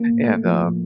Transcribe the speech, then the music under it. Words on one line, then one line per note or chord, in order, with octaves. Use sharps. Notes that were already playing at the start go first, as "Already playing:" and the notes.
And, um,
Already playing: A#3
A2
A3
F3
A2